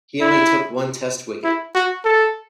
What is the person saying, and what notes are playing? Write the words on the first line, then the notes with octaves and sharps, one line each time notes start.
He only took one Test wicket.
E4
E4
F#4
A4